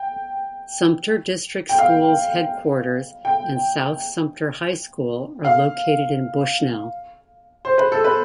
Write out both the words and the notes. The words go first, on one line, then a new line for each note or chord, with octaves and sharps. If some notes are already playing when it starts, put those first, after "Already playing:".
Sumter District Schools headquarters and South Sumter High School are located in Bushnell.
Already playing: G5
G5
F5
G5
F5
C5
B4
A4
B4